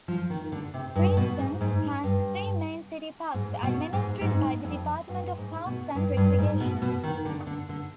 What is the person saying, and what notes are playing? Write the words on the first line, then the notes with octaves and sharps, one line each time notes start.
Princeton has three main city parks, administered by the Department of Parks and Recreation.
F3
D#3
D3
C3
G2
B2
G#2
G#2
G2
G#2
B2
G#2
G#2
F2
G2
G#2
B2
G2
G2
G#2
B2
B2
D#3
D3
D3
D3